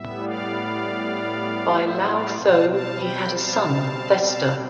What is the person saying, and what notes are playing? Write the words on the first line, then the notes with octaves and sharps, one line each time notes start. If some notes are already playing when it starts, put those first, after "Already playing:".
By Laothoe he had a son Thestor.
Already playing: A2 G3 B3 E5
D5 F5
C5 E5
D5 F5
B2 G3 C4 F5 A5
F5 A5
G5 B5
F5 A5
F5 A5